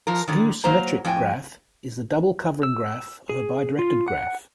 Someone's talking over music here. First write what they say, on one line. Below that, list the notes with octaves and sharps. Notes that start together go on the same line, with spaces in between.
A skew-symmetric graph is the double covering graph of a bidirected graph.
F3 A#4
A2 D3 D#3
F#3 A#3 C5 A#5
F2 A2 G5 G#5
E6
G#4
F4
F#5